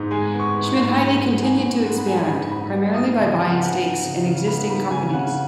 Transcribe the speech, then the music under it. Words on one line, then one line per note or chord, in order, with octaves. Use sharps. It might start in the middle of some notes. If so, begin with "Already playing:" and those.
Schmidheiny continued to expand, primarily by buying stakes in existing companies.
Already playing: G#2 G#3 B3 D#4
G#3 G#5
B3
C#6
D#4
C#6
G#2
G#3 B5
B3
D#4 G#5
G#2
G#3 F#5
B5
B3 G#5
D#4 B5
G#2 B5
B3
D#4 D#6
C#3
C#3 G#5
F#5
B3 G#5
D#4
C#3
C#3
B3 B5
D#4 B5
C#3 G#5
C#3 F#5